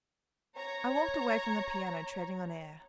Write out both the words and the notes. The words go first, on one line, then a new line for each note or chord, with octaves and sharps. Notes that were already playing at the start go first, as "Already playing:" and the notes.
I walked away from the piano treading on air.
C#5 A#5